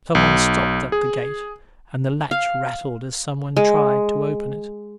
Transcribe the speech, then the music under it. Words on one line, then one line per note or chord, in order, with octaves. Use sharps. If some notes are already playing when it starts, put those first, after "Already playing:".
Someone stopped at the gate, and the latch rattled as someone tried to open it.
B1
G#4
F5
G#3